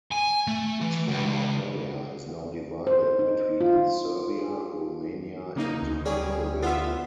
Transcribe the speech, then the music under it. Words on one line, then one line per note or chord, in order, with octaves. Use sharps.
Its former area is now divided between Serbia, Romania and Hungary.
G#5
A3
E3
C#2
C5
D#4
F4
G#4
C#3 A#3 D#4
D2
G3 C#4 G#4
B3 F4 E5